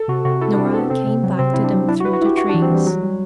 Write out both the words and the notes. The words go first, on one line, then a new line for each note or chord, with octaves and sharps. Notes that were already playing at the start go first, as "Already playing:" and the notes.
Norah came back to them through the trees.
Already playing: A4
C3 F#4
C3 F#4
E4 A4
D4
C3
C4
B3 A4
C3 C4
C3
F#3
C3 C4
C3 E4
D4
F#3
D4 E4
F#4
B4
F#4
E4 G4
E4 F#4
D4
E3
C4
E3 G3
F#3 G3
G3